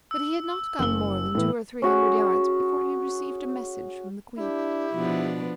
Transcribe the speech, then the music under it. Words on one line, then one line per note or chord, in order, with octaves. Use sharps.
But he had not gone more than two or three hundred yards before he received a message from the Queen.
E6
F#1 E6 G7
A2 E3
C#4 F#4 G#4
D4 E4 G4
B2 F3 B3 D4